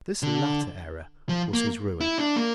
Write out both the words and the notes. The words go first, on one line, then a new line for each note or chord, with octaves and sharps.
This latter error was his ruin.
D3
F3
A#3
E4
D4
A#3